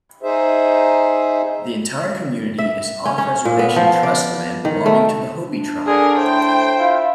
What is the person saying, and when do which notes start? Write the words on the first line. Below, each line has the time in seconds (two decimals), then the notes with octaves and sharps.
The entire community is off-reservation trust land belonging to the Hopi tribe.
0.23 D#4 G#4 C5 E5
2.58 E5
3.06 C#4
3.18 C#4
3.45 A#2
3.59 B3
3.76 F3
4.03 D5
4.65 D#3
4.86 A3
5.45 D4
5.87 D3 G#4 A#4
6.17 A2 C5 G5
6.77 E4 F4